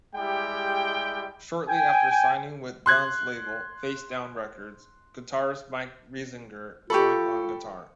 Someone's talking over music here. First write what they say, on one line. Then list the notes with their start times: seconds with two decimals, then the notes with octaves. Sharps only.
Shortly after signing with Dunn's label, Facedown Records, guitarist Mike Risinger joined on guitar.
0.16 G3 G#3 E4 G4 G5
1.69 G5 G#5
2.86 C6 F#6 G#6
6.90 F4 G4 A4 B5 C#6